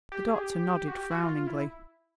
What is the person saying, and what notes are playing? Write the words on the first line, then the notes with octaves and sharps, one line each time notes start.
The doctor nodded frowningly.
G4
G#4
G4
F#4
G4
F#4
F4
E4